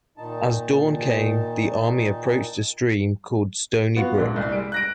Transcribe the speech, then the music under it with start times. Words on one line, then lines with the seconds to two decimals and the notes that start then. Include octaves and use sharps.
As dawn came, the army approached a stream called Stony Brook.
0.17 A#2 D#3 D#4 A5
3.96 B3 F4 F#4
4.15 D#1 A#1 G#2
4.36 C2
4.51 G3 G#3 D7
4.72 F#6 A#6 D7